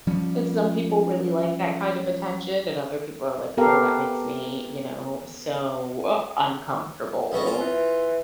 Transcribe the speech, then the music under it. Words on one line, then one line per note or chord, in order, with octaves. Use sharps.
Some people really like that kind of attention and other people are like, "Oh, that makes me, you know, so u uncomfortable."
F3 G3 C#4
B3 G4 A4 A#4 F5
C#2 B3 F#4
F4
E3